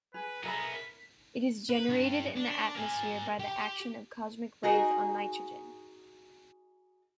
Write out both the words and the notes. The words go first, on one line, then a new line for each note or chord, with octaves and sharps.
It is generated in the atmosphere by the action of cosmic rays on nitrogen.
G#4 B4
B1 B3 G#4 A#4 E5 A#5 B5
B4
G2
D4
A#4 G#5
G4
D#4 F#4 G#4 A#4